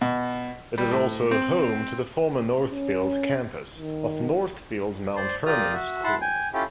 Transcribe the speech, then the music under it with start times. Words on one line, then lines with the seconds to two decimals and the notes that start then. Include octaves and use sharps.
It is also home to the former Northfield campus of Northfield Mount Hermon School.
0.01 B2
0.78 G3
0.91 A2
1.31 C4
2.71 C#4
3.78 D#3
5.16 C5 D5 C6
5.46 F4 G4 A#4 D5 D#6 F6
5.74 F#4 E5
6.04 E4 F#5 A5 C6
6.21 G5 G#5
6.54 C#4 E4 F4 G4 A4 G5